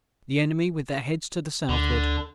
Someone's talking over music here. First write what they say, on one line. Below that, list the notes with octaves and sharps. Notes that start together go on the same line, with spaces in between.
The Enemy with their heads to the southward.
D2 D3